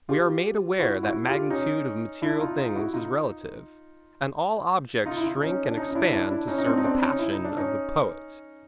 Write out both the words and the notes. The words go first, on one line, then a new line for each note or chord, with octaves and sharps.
We are made aware that magnitude of material things is relative, and all objects shrink and expand to serve the passion of the poet.
F4 G4
E4 F#4
E4 F#4
F4 G4
C#4 D#4
D4 E4
D#4 F4
D#4 F4
E4 F#4
D#4 F4
D#4 F4
E4
D#4 F4
C#4 D#4
D4
C#4 D#4
D#4
D4 E4
D4 E4
D4 E4
C#4 D#4
D#4
C4 D4
D#4
C4 D4
C#4 D#4
E4
D#4
D4
C#4 D#4